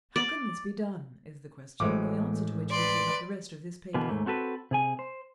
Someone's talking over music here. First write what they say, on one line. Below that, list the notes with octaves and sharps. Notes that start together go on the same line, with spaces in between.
How can this be done?--is the question the answer to which will take up the rest of this paper.
D5
A1 A2 E3 G#3 C5 D6
B4 D5 C6
B2 D3 E3 A#3 B3
D#2 G#2 A3 A#3
C4 F#4 A4 B4
C3 G#4 G#5
C5